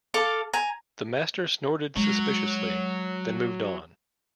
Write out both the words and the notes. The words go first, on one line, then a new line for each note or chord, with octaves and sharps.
The master snorted suspiciously, then moved on.
A4 F5 D6
G#5 A#5
F#3 G#3